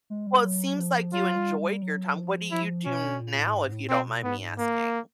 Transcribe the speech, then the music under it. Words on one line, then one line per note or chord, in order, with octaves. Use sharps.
Well, it seems like you enjoyed your time, what do you do now, if you don't mind me asking?
G#3
G3
F#3
F3
F#3 F4
G3
G3
F#3
F3
F3 E4
B2 C#4
A#2
A2
G#2
G#2
A2
B2 C4
G#2 B3
A#3